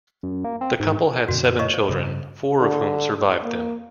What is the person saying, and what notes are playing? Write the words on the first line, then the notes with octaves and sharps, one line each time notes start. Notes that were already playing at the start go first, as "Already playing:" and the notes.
The couple had seven children, four of whom survived them.
F#2
A#3
C4
G#2
F#2 B2 D3 F#4
B4
C#5 D#5 C#6
C5
G2 C#3
D3
A#3